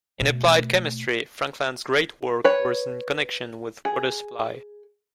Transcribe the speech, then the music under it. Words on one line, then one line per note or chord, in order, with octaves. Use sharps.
In applied chemistry Frankland's great work was in connection with water-supply.
B2 A3
B4 C#5
G#4